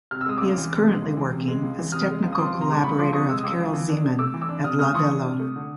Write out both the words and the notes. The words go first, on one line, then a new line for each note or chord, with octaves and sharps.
He is currently working as technical collaborator of Karel Zeman at Lavello.
C3 F6
E6
G#3 D#6
C#2 D6 E6
E3
C3
G#3
C#2
E3
C3
G#3
C#2
E3
C3 D#6 F6
G#3
C#2
D#6
F3 C6 D6
C3
A#5 C6
G#3 D6
C#2 B5 C#6
F3 C6 D6
C3 C#6 D#6
G#3 E6
D#6
C#2 D6 E6
F3
E3
D4
C3
A3 D6 E6
E3
D6 E6
D4
C3 D#6 F6
A3 D#6 F6
E3 C#6 D#6
D4
C3
A3
D3